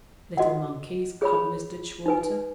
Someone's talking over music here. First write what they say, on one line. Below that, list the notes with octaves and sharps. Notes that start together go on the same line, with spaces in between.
Little monkeys common as ditchwater.
F#4 D#5 F#5
G#4 C#5 B5
D#4 B4 G#5